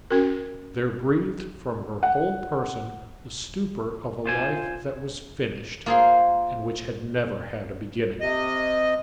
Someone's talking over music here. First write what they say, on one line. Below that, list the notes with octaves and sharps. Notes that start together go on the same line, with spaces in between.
There breathed from her whole person the stupor of a life that was finished, and which had never had a beginning.
C#4 F#4 A#4
F#5
F4 C5 G#5
A#3 F4 G#4 C5 C6
C3 D#5